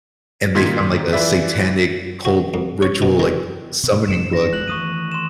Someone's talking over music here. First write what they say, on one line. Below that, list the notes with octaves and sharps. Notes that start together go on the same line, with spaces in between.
and they found, like, a satanic cold ritual, like, summoning book.
A#2 D#3 F4 C6 G#6 B6
E3 F4 B4 D5 E5
F#4
F2
C#5
B2
D#3
B2
F#2 C3 E7
F#2 D4 A#6
D1 G#3 F#6 F#7
D#3 E3 A3 C#6 D#6 D#7
C6 E7